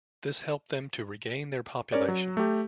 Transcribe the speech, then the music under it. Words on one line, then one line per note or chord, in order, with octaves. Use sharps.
This helped them to regain their population.
C#4 A#4 C#5 D5
F#3
A3 G4